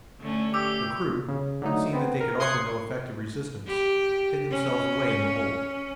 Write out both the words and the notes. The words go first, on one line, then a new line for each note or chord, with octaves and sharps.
The crew, seeing that they could offer no effective resistance, hid themselves away in the hold.
D3 A3 C#4
G4 D6 E6
C#3
D3 F#3 A3 D#4
B3 C4
A#4
C6 D#6 F#6 G#6 C7 C#7
G4
C#4